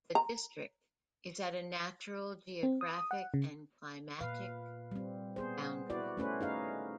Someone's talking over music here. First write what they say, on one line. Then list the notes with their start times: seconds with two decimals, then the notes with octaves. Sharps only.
The district is at a natural geographic and climatic boundary.
0.15 A#5
2.63 C4
2.81 D#6
3.11 F#5
3.34 C#3
4.21 A#2 B4 F5
4.91 G3 C4
5.36 B3 G#4 C5
5.90 E4 F#4 B4 D5
6.17 A3 C#4 B4 C5
6.41 D#4 G#4 F5